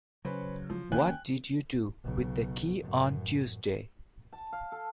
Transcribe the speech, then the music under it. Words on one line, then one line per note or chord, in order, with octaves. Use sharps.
What did you do with the key on Tuesday?
C#3 F#3 C#4 B4 C5
F3
D#3 A#3 C#4 G5 G#5 F#6
B1 C#3
A1 F#2
A5
F5
A4